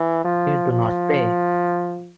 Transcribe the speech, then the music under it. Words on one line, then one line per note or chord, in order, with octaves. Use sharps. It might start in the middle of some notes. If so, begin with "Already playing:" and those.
They do not pay.
Already playing: E3
F3
F3